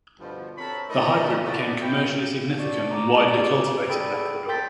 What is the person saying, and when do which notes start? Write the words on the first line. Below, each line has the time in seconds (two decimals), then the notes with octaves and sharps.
The hybrid became commercially significant and widely cultivated in Ecuador.
0.20 G2 B2 D3 F3
0.58 C4 A4 A#4 C#5 A5 B5
0.90 A3 D#4 E4 A#4 D5 D#5
1.44 A3 E4 F#4 G#4 D5
1.82 A#3 D#4 E4 G5
2.58 D4 F#4 D5
2.91 A#5 D6
3.15 C#4 G#4 D5
3.34 G4
3.89 G#4 A4 D5 G5 B5 D7
4.49 G5 C6 G6 A6 B6